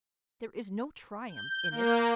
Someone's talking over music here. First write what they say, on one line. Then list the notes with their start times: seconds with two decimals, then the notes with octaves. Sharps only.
There is no triumph in it.
1.30 G6
1.71 A#3